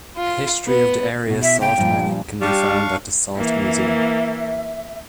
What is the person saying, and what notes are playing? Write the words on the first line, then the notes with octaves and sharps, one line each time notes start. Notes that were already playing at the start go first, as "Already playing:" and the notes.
A history of the area's salt mining can be found at the Salt Museum.
F4
B3
B2 E4
E5
C#3 G5
G2 A#2 F3
G3 D4 F5 C#6
E3 A#3 E5